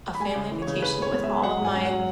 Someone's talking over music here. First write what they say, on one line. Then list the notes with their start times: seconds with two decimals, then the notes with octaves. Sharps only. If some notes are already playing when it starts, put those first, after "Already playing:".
a family vacation with all of my
0.15 B5
0.20 G#3 G#5
0.36 C#3
0.52 E3
0.62 C#5
0.67 C#3
0.82 C#3 B4
0.98 G#3 C#5
1.13 B3
1.24 G#3 E5
1.43 F#3 F#5
1.58 G#2
1.65 G#5
1.75 C#4
1.85 F#3 F#5